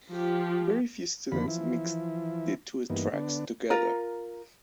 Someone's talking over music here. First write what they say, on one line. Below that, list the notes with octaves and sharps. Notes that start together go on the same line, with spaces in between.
Very few students mix the two tracks together.
F3 G4
F2 D3 D#3 F3 A#3 B5
E3 F3 E4
G2 E3 A#3 B3 D#4
D3 B3 D4
F4 A#4 A#5